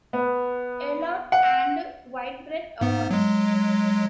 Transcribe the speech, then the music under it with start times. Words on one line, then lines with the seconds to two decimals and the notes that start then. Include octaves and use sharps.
Eliot and Whitbread Awards.
0.13 B3
1.32 F#5
2.81 G#2 B3
3.11 F#3 G#3